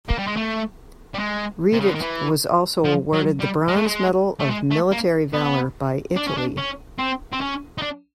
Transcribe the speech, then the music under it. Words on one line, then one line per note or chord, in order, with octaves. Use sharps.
Readitt was also awarded the Bronze Medal of Military Valor by Italy.
A#3
G3
G#3
A3
G3
G#3
C3
C#3
D3
D#3
E3
F3
F#3
G3
G#3
A3
G#3
A3
G#3
A3
A#3
B3
D4
C#4
D4
C#4
C4
C4
C#4
D#4
D4